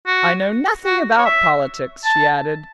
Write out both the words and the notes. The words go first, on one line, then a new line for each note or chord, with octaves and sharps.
"I know nothing about politics," she added.
F#4
F#4
C#5
E5
A5